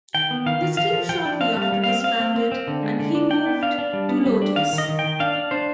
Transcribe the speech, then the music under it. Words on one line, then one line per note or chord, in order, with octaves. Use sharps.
This team shortly after disbanded, and he moved to Lotus.
D#3 G5
B3
D#3 F5
D#3
F3 F5
F3
F3 G5
D4
C4 F5
G3
F5
G3
C4 F5
C4 F5
C4
C4
C4
D3
G#3
D3
D4
D4 G5
B3
D4 F5
D4
G3
B3
G3
D4
D#3 F5
D#3
D#5
D#3
G5
D#3
D4 F5
D4
D4 C5